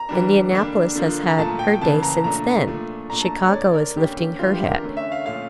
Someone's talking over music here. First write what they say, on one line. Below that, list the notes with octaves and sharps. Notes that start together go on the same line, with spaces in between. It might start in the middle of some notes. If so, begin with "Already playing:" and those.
Indianapolis has had her day since then, Chicago is lifting her head.
Already playing: A#5
E3 G3 D4
D3 G3 A#3 D4
D3 F3 A#3
A#5
A#2 F3 A3 A5
G5
C#3 E3 A#3 A5
A#5
A#2 A3 D4 A#5
A#2 F3 A3 D4
A#2 A3 D4 A#5
A5
C#5
D3 A3 D4 D5
A#4
D3 G3 A#3 C#4 G4
G4
E3 A3 D4 F4
G4
A#4
D3 A3 C#4
E5
F5
A#2 F3 A3 C#4 F5